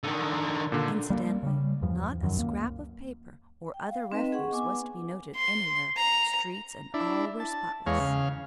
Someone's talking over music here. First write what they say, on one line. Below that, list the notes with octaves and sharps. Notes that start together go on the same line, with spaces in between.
Incidentally not a scrap of paper or other refuse was to be noted anywhere--streets and all were spotless.
D3 D#3
A#2 D3
G3 A#3
C#3 G3
E2 G2 F3
F#2 D#3 E3 F#3
C#2 A#3
G5
F5
C4 D#4 B4 D#5
G#4 F#5 C#6
B3 G#5 D6
C6
A#5
D4 E4
A5
E2 G#3 C#5 F5
C#3 F5